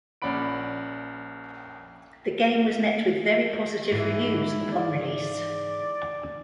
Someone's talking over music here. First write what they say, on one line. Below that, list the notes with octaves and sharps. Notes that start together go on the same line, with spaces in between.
The game was met with very positive reviews upon release.
A#1 C#4 D5 F#5 B5 D7
G#2 E3 E4
D5